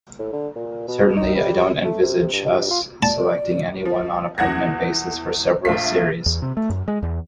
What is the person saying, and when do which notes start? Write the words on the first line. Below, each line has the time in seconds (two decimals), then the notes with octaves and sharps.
Certainly I don't envisage us selecting anyone on a permanent basis for several series.
0.19 A2
0.33 D3
0.56 A#2
0.88 B2
1.17 D#4
1.35 G3
1.85 A3
2.02 C3
2.33 G2
2.71 F4
3.03 D5 A5
3.85 F3
4.38 E2 F#5 G#6 A#6
5.65 A#1 A3 F5 B6
6.26 E2
6.42 C3
6.57 A3
6.70 F#2
6.88 G#3
7.03 E2